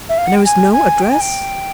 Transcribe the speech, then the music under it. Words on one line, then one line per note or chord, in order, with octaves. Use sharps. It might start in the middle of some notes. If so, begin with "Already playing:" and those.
And there was no address?
E5
F5
F#5
G5
G#5
G#5
G5
G#5
G5